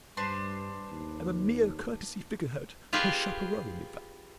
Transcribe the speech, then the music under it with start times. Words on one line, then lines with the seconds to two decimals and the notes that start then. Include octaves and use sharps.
I am a mere courtesy-figurehead--her chaperon, in fact.
0.17 G2 D4 B4 C5
0.89 D#2
2.93 F4 G4 G#4 B4 F5